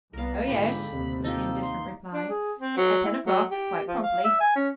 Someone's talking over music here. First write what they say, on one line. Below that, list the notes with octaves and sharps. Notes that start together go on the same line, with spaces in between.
"Oh, yes," was the indifferent reply, "at ten o'clock, quite promptly."
C2 G3 B3 A#4 F5
G1 G#2 B2 D3 G4 B4 B5
D#2 C3
D#4 F4 G4 A4
C6
D4
G#4
C4
F#3
E4
F#3
G4
F3
F5
E5
G#5
C#4